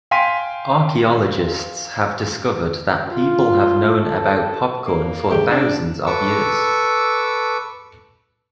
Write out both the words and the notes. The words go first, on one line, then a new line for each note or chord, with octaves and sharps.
Archaeologists have discovered that people have known about popcorn for thousands of years.
F5 G5 G#5 C6 B6 D#7
F4
A4
A#3
D3 G#3 A3 G4
D4
A4 B4 C#6 D6 E6